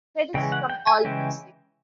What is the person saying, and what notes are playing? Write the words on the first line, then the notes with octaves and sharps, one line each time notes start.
Credits from Allmusic.
C#3 E3 G#3 C#4 G5
F#5
G5
G#5
C#3 E3 G#3 C#4 G5